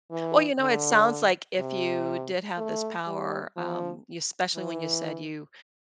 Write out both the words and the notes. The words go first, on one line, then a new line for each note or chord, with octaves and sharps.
Well, you know, it sounds, like, if you did have this power, um, you especially when you said you
E3
D3
C3
A3
G3
F3
E3